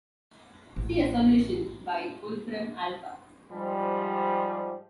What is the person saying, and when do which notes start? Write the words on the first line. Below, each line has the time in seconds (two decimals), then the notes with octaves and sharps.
See a solution by Wolfram Alpha.
0.76 A1
3.51 G#2 F3 G3